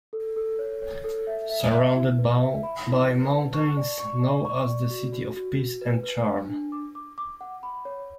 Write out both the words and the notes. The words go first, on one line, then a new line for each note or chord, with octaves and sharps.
Surrounded by mountains known as the city of peace and charm.
A4
A4
C#5
C#5
A4
E5
E5
E5
E4
B4
E5
B5
E4
B4
A5
C#6
D5
C#6
D5
C#6
D5
F#4
F#4
F#4
F#4
B4
B4
D4
D4
D6
D6
D6
F#5
B5
C#5